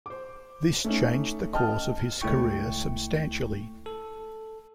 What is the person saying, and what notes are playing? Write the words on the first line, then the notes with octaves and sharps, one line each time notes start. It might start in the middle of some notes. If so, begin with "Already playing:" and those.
This changed the course of his career substantially.
C5 D6
A3 C#4 D#4
D#5 G5 A5 F6
C#2 A3 E4 G5 C#6
A4